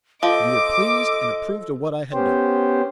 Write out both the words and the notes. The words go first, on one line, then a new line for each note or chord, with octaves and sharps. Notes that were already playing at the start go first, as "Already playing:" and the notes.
You were pleased and approved of what I had done.
F3 A4 D#5 D6
B3 C#4 G4 C5